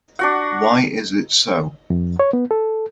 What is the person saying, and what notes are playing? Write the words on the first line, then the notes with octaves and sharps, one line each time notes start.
Why is it so?
D4 F#4 F#5
F2
C#5
B3
A4